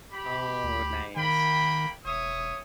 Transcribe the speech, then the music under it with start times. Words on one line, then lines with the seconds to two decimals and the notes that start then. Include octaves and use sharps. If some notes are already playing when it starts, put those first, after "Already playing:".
Oh, nice.
0.12 G4 B5
0.64 D2
1.17 D#3 A#3 G5 B5
2.05 E1 C#5 E5 D#6